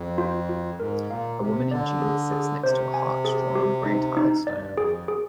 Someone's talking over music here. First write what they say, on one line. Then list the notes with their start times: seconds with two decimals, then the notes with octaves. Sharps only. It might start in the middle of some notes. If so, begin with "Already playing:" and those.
A woman in jeans sits next to a heart drawn on gray tiled stone.
Already playing: F2
0.18 F4
0.49 F4
0.80 G#2 A#4
1.10 A#2 F5
1.41 C3 G4
1.71 D3 D5
2.02 G#4
2.32 G#4
2.63 C3 C5
2.94 G#5
3.25 G#4
3.55 G4
3.86 D#4
4.17 D#4
4.47 G2 D5
4.77 F2 G#4
5.08 G#4